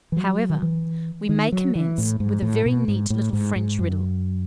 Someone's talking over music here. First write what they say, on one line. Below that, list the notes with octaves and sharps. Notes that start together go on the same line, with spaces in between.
However, we may commence with a very neat little French riddle.
E3
F#3
D#3
E3
D#3
F#3
E3
A2
G#2
A2
B2
G#2
A2
G#2
G#2
F#2